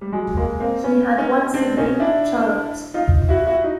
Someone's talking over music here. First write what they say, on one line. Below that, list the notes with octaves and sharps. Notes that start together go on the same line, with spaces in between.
He had one sibling, Charlotte.
G3
F#3 G#3
G#3 A#3
A#3 C4
B3 C#4
C#4 D#4
C4 D4
C#4 D#4
D4 E4
D#4 F4
E4 F#4
E4 F#4
D#4